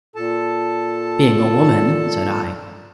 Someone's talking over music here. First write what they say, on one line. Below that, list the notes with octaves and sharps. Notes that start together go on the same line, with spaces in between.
"Being a woman," said I.
A#2 A4 A5